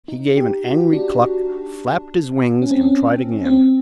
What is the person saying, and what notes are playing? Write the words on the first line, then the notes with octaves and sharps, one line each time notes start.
He gave an angry cluck, flapped his wings, and tried again.
D#4
G4
F#4
D4
C#4
C4
C#4
C4